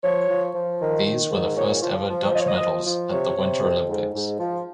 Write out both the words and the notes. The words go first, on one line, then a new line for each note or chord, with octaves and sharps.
These were the first-ever Dutch medals at the Winter Olympics.
F3 C#5
F3
F3
D#3
D#3
G#2
A#2 C#5
F3
F3
F3 D#5
C#5
D#5
F3
F3
C3 C#5
C3
F2
G#2
G#2
F3